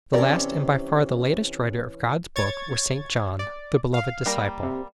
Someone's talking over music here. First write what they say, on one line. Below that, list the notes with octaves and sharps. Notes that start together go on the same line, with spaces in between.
The last and by far the latest writer of God's Book was St. John, the beloved disciple.
C3 E3 C#4 A#4 D5
C#5 G#6 A6
D5
F5
G3 A#3 A#5
C3